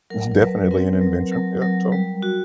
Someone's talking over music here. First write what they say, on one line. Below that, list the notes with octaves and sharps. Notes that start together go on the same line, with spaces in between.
It's definitely an invention, yeah, so
F#3 A#4
A#4
F#3 B4
C4 A#4
F#3
F#3
F#3
G3
F#4